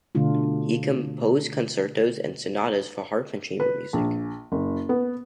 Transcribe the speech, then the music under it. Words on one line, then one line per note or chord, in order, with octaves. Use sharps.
He composed concertos and sonatas for harp and chamber music.
B2 D3 A3 D4 F4
B4
A#1
F#1
B3